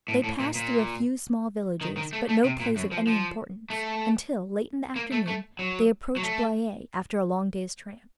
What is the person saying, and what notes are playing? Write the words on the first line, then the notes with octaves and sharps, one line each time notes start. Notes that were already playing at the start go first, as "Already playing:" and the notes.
They passed through a few small villages, but no place of any importance until, late in the afternoon, they approached Blaye, after a long day's tramp.
A2
A2
A#2
A#2
D#3
D#3
A3
A3
C3
A#2
F#2
F3
F3
A3
A#3
A3
A3
F#3
F#3
A3